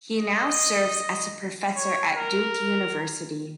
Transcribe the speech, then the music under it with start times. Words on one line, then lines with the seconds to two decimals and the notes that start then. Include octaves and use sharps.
He now serves as a professor at Duke University.
0.18 D#5
1.76 C#5
2.15 A#4